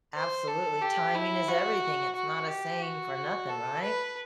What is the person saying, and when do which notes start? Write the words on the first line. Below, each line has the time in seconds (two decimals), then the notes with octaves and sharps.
Absolutely. Timing is everything, it's not a saying for nothing, right?
0.14 C5
0.48 A4
0.81 G4
1.15 E4
1.48 F#4
2.16 F#4
2.48 G4
2.82 F#4
3.49 A4
3.82 B4